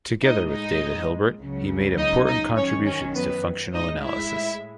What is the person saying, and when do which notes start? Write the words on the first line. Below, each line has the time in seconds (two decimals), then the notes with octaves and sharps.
Together with David Hilbert he made important contributions to functional analysis.
0.22 A2 G#3 D#4 D#5
0.52 D#4 D#5
1.40 C#2 C#3 F#3
1.98 D#4 D#5
2.27 D#4 D#5
2.57 F#2 D#3 F#3 C#4 C#5
2.86 C#4 C#5
3.15 B3 B4
3.74 A2 G#3 D#4 D#5
4.03 E4 E5